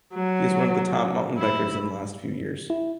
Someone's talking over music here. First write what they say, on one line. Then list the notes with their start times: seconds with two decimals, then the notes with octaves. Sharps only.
He is one of the top mountain bikers in the last few years.
0.14 F#3
1.38 E4
2.70 E4